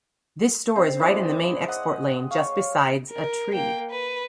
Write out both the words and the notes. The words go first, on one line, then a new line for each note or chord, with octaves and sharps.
This store is right in the main export lane just besides a tree.
C4 C5
G#3 D4 E4
D#5 F#5
C#5 F5 C#6
A#4
A#3 G5
B4